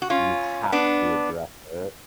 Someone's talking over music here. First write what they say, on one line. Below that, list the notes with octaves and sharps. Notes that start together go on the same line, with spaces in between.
you have to address it.
F#4
C#4 F4
B3 D4